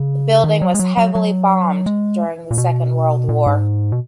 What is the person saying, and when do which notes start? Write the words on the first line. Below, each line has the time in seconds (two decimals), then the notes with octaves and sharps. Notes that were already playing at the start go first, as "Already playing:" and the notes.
The building was heavily bombed during the Second World War.
Already playing: C#3
0.44 D#3
0.62 F#3
0.74 G#3
0.79 F#3
0.97 F#3
1.15 F#3
1.86 G#3
2.51 A#2
2.58 B2
3.29 A#2
3.46 G#2
3.92 B2